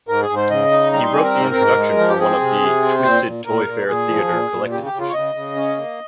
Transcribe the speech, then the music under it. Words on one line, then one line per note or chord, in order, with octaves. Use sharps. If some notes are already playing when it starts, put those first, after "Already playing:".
He wrote the introduction for one of the "Twisted ToyFare Theatre" collected editions.
G#2 A#4
G#4
G#2
C5
C#3 D#5
D#4
G3 A#5
C6
C4 G#5
A#4
G#2
G#2
G#3
F3
G4
C4 G#4
C3
C3
C4
A#2 C5
A#2
A#2 A#4
A#2
A#2 G#4
F3
A#2
A#2
C#3 G4
G4
C#3
F4
C#5
C#3 D#5
C#3
C#4
A#3